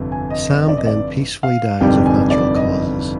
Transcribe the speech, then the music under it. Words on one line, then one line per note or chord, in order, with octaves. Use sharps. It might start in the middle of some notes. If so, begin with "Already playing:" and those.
Sam then peacefully dies of natural causes.
Already playing: G1 F2 C3
G#5
D#5
D5
D#5
D5
F5
G1 F2 C3 D#3 G3 G5
G#5
D5
D#5